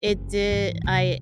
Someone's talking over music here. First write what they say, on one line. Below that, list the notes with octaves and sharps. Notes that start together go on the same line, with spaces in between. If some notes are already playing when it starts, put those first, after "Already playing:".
it did I
F#1
G#2 E3
C3 D#3